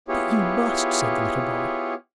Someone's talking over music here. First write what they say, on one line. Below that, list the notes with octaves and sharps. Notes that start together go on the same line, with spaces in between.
"But you must!" said the little boy.
B3 E4 F4 G4 G#4 C#5